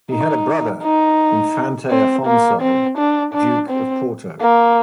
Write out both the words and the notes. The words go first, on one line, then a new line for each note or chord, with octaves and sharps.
He had a brother, Infante Afonso, Duke of Porto.
D#4
D#4
C4
A#3
C4
D4
D4
C4
A#3